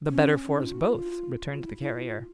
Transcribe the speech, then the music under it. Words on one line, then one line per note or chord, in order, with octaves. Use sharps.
"The better for us both," returned the Carrier.
C#4
D4
D#4
F4
F#4
F4
F4
E4
E4
F4